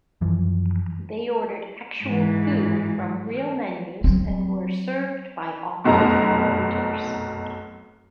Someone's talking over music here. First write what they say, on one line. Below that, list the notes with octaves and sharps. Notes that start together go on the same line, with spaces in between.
They ordered actual food from real menus and were served by authentic waiters.
F#2 E3 F3
G#2 E3
F#3 C4
F1 B1 F#2 D#4 A#5